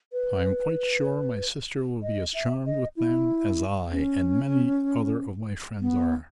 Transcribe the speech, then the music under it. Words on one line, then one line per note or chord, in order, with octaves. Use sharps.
"I am quite sure my sister will be as charmed with them as I and many other of my friends are."
B4
D#5
E5
D#5
E4
C#4
B3